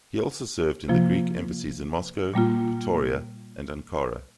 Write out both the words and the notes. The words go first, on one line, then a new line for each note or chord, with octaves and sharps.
He also served in the Greek embassies in Moscow, Pretoria and Ankara.
C3 F3 A#3 F4
A#2 G3 A#3 F4